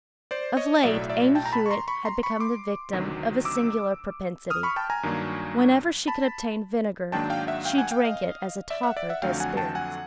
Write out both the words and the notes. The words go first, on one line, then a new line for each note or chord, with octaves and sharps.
Of late Amy Hewett had become the victim of a singular propensity; whenever she could obtain vinegar, she drank it as a toper does spirits.
C5 D5
C#5 D#5
B1 A2 F#3 A3 D5 E5
D5 E5
G5 A5
A#5
A5 B5
C#6
A#5 C6
B5 C#6
A#5 C6
B5 C#6
C6 D6
D2 C3 D#3 F#3
D6 E6
D#6 F6
B5 C#6
G5 A5
G#5 A#5
G2 D#3 F#3 A#3 D4
A5 B5
G#2 D#3 F#3 A#3 D4 G5 A5
F5 G5
E5 F#5
F5 G5
F#5 G#5
F5 G5
D#5 F5
D5 E5
E5 F#5
D5 E5
E5 F#5
F2 D3 F#3 A3 F5 G5
F#5 G#5
G5 A5
F#5 G#5